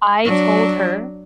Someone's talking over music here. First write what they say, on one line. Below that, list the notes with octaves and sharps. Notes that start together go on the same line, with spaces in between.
I told her
F#3 D4